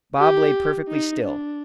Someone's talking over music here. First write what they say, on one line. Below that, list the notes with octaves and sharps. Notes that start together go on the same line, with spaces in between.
Bob lay perfectly still.
G4
D#4
D4